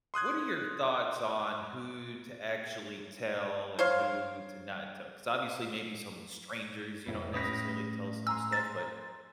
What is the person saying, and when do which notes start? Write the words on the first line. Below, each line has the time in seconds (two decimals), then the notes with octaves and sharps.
what are your thoughts on who to actually tell and who to not tell? 'Cause, obviously, maybe some strangers you don't necessarily tell some stuff, but
0.14 C6 D#6 F#6 G#6
3.79 C5 C#5 F5
7.06 F1 A2
7.34 A2 C#4 B4 D#6 A#6
8.27 G#5 A#5 C6 E6
8.53 A6